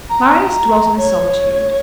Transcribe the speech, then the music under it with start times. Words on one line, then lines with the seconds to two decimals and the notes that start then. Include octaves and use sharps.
Marius dwelt in solitude.
0.10 A#5
0.27 A#5
0.97 C#5